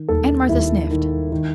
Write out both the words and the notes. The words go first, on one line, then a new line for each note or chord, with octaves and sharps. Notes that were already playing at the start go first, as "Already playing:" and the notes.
Aunt Martha sniffed.
Already playing: D#3
D#2 A4
D#2 E4
D#3
D#3